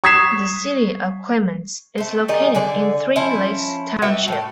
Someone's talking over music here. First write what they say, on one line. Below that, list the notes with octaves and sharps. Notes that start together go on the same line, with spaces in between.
The city of Clements is located in Three Lakes Township.
C#6 D#6 G#6 B6 C7 E7
A3 C4
D#3 G3 G#4 D#5
D3 G#4 D5
F3 C#4 E4
G3 B3 F#4 E5
A2 G4